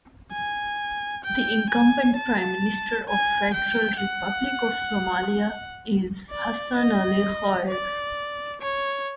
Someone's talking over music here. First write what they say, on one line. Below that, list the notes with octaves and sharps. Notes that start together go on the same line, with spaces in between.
The incumbent Prime Minister of the Federal Republic of Somalia is Hassan Ali Khayre.
G#5
G5
G#5
A5
G#5
G5
F#5
D5
D#5
D5
C#5